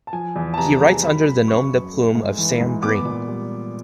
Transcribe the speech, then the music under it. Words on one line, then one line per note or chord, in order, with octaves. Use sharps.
He writes under the nom-de-plume of Sam Green.
A5
F3 G#5
E2
A5
C3 A#5
G#3 A#5
F#3 B5
F#2 B5
C#3 C#6
F#2
A3
G#2
E3
G#2
B3 D6
A#2
G3